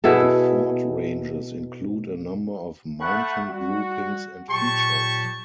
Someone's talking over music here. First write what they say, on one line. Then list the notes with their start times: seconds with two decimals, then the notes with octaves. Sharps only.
The Ford Ranges include a number of mountain groupings and features.
0.04 B2 E4 G#4 A4
3.01 A3 F#5 B5 C#6 F#6
3.49 G3 F#4
4.50 A#2 F#3 G4 A5 C#6